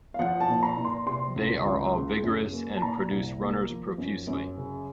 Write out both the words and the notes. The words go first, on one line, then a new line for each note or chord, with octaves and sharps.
They are all vigorous, and produce runners profusely.
F5
F3 F#5
A5
A#2
A#5
A#2
C6
C3 C6
C#2
C#2
C#3
F#2
A#3
A5
A#2 A#5
C2
A#3
F3
F#2
F#2
C#3